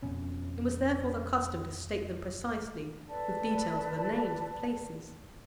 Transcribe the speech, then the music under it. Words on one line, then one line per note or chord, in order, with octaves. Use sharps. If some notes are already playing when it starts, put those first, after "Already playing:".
It was, therefore, the custom to state them precisely, with details of the names of places.
F2 B2 C#4
A4 B4 D5 A5